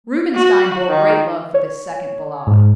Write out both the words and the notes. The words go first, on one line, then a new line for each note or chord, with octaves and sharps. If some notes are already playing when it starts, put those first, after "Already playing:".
Rubinstein bore great love for this second Ballade.
F#4
D#3
C#5
G#2